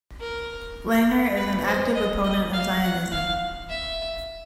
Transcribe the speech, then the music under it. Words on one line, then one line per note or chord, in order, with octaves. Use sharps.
Langer is an active opponent of Zionism.
A#4
B4
C5
D#5
D#5
F5
F#5
F5
E5